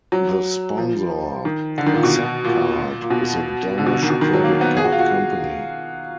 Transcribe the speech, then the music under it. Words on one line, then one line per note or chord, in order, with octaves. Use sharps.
The sponsor, Acceptcard, is a Danish credit card company.
F#3
F3
D#3
D3
D#3
A#2
B2
A#2
A#2
B2
D3
B2
D3
D#3
B2
D#3
F#3
A#3
B3
G#4
F#4
F4
F#4